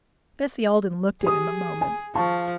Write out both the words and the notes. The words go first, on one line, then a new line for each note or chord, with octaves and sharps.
Bessie Alden looked at him a moment.
G4 G#4 D#6
G#5
F3 F5 A5 C#6